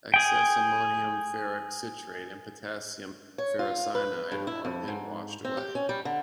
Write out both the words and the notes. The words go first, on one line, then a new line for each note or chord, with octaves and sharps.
Excess ammonium ferric citrate and potassium ferricyanide are then washed away.
G#4 G5
C#5
F4
B4
G2
E4
F2
G#2
C4
G4
C#4
G3
D3